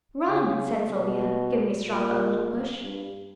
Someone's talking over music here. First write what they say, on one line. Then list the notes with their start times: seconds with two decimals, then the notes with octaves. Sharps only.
"Run," said Sylvia, giving Estralla a little push.
0.27 C#3
0.91 B2
1.85 A#2
2.81 G2